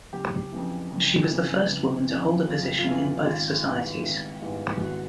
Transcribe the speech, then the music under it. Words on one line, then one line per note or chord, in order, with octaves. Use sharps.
She was the first woman to hold a position in both societies.
F#1 G4
F2 C#3 E3
F#1
F2 C#3 E3
F#1
F2 C#3 E3
F#1 F4
F4
F2 C#3 E3 E4
G#1 F4
G#2 E3 G3 B3
G#1
G#2 E3 G3 B3
G#1 F#4